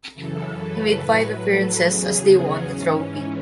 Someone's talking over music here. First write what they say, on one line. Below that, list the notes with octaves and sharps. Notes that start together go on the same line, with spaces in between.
He made five appearances as they won the trophy.
F#2 C#3 E3 A4
B4
A2 F#3
A4
E2 C#3 F#3 G#4
C#4
G#2 E3